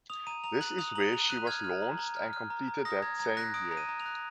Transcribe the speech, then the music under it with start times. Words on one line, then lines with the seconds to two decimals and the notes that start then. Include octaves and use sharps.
This is where she was launched and completed that same year.
0.10 D#6 F7
0.27 A#5 D#7
0.44 A#5 F7
0.61 F#6 F#7
0.78 D#6 F7
0.95 A#5 F#7
1.12 A#5 F7
1.30 F#6 D#7
1.47 F6 G#6
1.64 F6
1.82 A#5
1.99 A#5
2.16 F6
2.33 F6
2.50 A#5
2.68 A#5
2.85 D#6 A#6
3.02 A#5 G#6
3.19 A#5 G#6
3.37 F#6 A#6
3.54 D#6 D7
3.71 A#5
3.77 D#7
3.89 A#5
4.00 F7
4.06 F#6